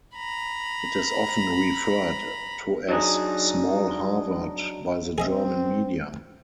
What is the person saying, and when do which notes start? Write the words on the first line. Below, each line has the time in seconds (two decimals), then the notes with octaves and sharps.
It is often referred to as "small Harvard" by the German media.
0.16 A#5 B5
2.89 F#3 D4 D#4 G#4
5.18 C4 G#4 D#5 E5